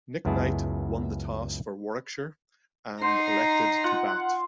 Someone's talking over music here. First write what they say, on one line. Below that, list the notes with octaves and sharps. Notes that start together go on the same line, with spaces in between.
Nick Knight won the toss for Warwickshire and elected to bat.
C#2 F#2 B3 E4 G#4 A5
D#4 C5 F#5 A#5 C7
F4 F#5